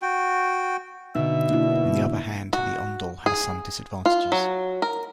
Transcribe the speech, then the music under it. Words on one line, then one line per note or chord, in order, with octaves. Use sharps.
On the other hand, the Ondol has some disadvantages.
F#4 G5
B2 D3 D#4 E5
A#3 D4 E4
F#4
G#4
F4
F#3
A#4